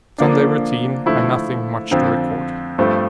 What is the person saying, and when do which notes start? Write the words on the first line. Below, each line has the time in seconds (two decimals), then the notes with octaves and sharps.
Sunday routine and nothing much to record.
0.18 D3 F3 A#3 D4
1.06 D3 F3 A3 E4
1.91 F2 D3 F3 C4
2.78 G2 F3 A3 C4